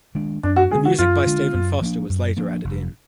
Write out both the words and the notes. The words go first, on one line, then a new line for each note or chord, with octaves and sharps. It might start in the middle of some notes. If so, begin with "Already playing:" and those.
The music by Stephen Foster was later added in.
D#3 G#3 D4
F#2 D4
F#4
D3 G#3 D4 G#4
F#4
F#2 F4
D3 G#3 D4
F#2
F3 A#3 D4
F#2
F3 A#3 D4
F1